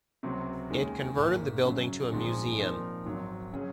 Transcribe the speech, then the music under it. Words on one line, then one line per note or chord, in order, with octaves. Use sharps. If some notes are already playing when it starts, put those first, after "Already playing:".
It converted the building to a museum.
C#2 C3 F#3 C4
D#2 D#3 G#3 C#4
G#1 G#2 D#3 A#3
F#2 C#3 F#3
A#1 G#2 F3 G#3 C4
A#2 F3 C4 D#4 A#4
G#1 G#2 D#3 F#3 C4
C#3 F#3 C#4 G#4